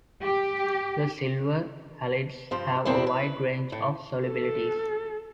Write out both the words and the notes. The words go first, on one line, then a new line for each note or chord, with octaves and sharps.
The silver halides have a wide range of solubilities.
G4
G2 F3 C5
E2 A#2 C4 D4 E4
B4
A2
A4